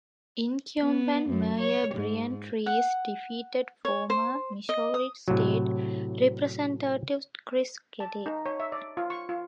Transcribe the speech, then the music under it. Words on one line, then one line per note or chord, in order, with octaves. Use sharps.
Incumbent Mayor Brian Treece defeated former Missouri State Representative Chris Kelley.
B3
F#2
C#5
G#2
F#5
C#5
C5
D#5
D#6
A2 C3 F#3
A5
D#4
C#5
E5
D5
F4
C#6
F4